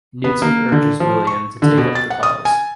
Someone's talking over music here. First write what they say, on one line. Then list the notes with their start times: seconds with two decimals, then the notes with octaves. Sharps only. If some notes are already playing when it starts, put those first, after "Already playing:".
Newton urges William to take up the cause.
0.24 B3
0.42 A#3
0.72 D3
1.00 F3
1.27 C#6
1.62 D3
1.78 B2
1.95 A6
2.10 F#5
2.23 D#6
2.45 G#5